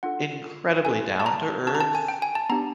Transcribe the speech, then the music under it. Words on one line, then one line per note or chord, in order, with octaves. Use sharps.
incredibly down-to-earth,
D4 F4 A4 F#5
C#4 E4 A4 G#5
A5
A#5
C#4 F#4 A4 A5
A#5
A5
G#5
G5
G#5
A5
B3 D4 G4 A#5